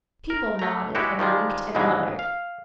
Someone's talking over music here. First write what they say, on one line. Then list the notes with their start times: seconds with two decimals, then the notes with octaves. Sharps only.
People nodded and winked and wondered.
0.30 A#4
0.59 A3 A#5
0.95 G#3 E4 F#4 G4
1.19 D#3 F3 G3 G#3
1.75 A#1 D#2 G#2 B2 E3 G#3
2.19 F5